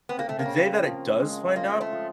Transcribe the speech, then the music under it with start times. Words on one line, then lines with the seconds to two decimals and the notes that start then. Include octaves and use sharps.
The the day that it does find out,
0.09 B3 C4
0.19 A#3
0.29 A3
0.39 A#3
0.46 C#3
0.83 F3
1.20 G#3
1.56 A#3 F4
1.81 A3
1.93 F3